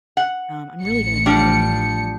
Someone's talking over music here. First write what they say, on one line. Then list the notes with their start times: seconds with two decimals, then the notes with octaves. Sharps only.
Um, I'm really gonna try to
0.17 F#5
0.84 A1 C#7
1.26 F3 G3 D4